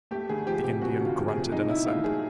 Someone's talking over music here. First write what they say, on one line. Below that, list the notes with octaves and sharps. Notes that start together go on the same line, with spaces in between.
The Indian grunted an assent.
A3 G4
D2 G#4
F3 G4
C3 G4
A3 F#4
D2
F4
F3
G#4
C3
A2 D#4
A2 E4
A3 F4
F#3 G#4